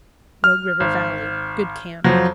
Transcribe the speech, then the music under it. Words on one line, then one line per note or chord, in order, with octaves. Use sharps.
Rogue River Valley.--Good camp.
F6
G#1
F2 F3 F#3